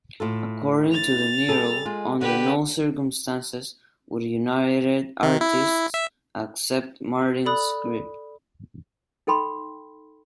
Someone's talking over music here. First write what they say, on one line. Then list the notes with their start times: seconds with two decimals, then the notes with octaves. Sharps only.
According to De Niro, under no circumstances would United Artists accept Martin's script.
0.20 A2 F4 A4
0.92 A6 F7
1.49 G3 G#4 A4
1.85 G#3 F4
2.21 D3 G4 B4 F#5
5.23 D#3
5.41 E4
5.94 E5
7.45 A4 D5 B5 D#6 F#6
9.27 D#4 A4 G5 B5 C6